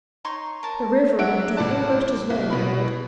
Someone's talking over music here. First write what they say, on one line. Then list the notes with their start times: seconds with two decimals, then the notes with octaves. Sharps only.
"The river will do almost as well, my lord."
0.25 D#4 C#5 C6 C#6
0.63 A#4 A5
1.19 F#3 D4 C#5 E5 F#5 D7
1.56 A1 E4 D5 A5 F#6
2.30 C2
2.50 B2 E4 B5